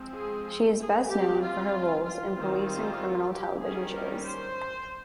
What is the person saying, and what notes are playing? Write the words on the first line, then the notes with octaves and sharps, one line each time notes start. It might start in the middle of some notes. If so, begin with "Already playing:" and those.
She is best known for her roles in police and criminal television shows.
Already playing: F3 G#3 C4
G#4
G#4
G3 C4 G4
F4
F4
D#3 G3 C4
F4
G4
D#3 G3 C#4 G#4
A#4
C5